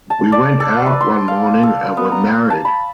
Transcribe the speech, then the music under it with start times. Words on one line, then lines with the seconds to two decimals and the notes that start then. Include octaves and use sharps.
We went out one morning and were married.
0.10 A5
0.32 D5
0.60 A4
0.86 B4
1.01 C6
1.28 F5
1.63 A4
1.97 B3
2.12 A#5
2.50 A5
2.65 B5